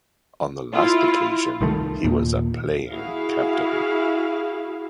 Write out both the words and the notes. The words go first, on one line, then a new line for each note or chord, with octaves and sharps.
On the last occasion, he was a playing captain.
E4 F4
C2 D#3 G#3 A3
D#2 A#2
E4 F#4 G#4 F5